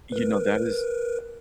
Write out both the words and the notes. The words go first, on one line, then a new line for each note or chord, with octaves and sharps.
you know, that is
A#4 B4